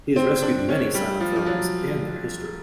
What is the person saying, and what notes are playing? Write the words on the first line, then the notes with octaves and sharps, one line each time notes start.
He has rescued many silent films and their history.
C4
D4
C#4
G3
F3
F3
F#3